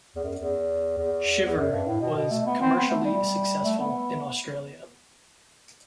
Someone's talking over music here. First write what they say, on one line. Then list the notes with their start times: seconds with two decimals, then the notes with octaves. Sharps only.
"Shiver" was commercially successful in Australia.
0.16 E2
0.24 F#2
0.39 E2
0.97 E2
1.45 E2
1.57 F#2
1.71 G2
1.87 A2
2.01 B2
2.16 B2
2.31 A3
2.46 B3
2.61 C4
2.75 B3
2.90 A3
3.05 G3
3.64 A3
3.79 B3